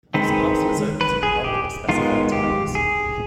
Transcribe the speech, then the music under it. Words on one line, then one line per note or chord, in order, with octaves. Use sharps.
This parcel is open to the public at specified times.
D#3 G#3 C4 B4
B4
G#4
G4
D#3 G#3 B3 F4
G4
G#4